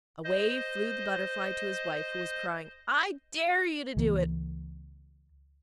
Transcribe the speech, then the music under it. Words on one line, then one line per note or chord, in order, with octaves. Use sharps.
Away flew the Butterfly to his wife, who was crying, 'I dare you to do it!
C5 D#5
C#2 E3 G#3 A#3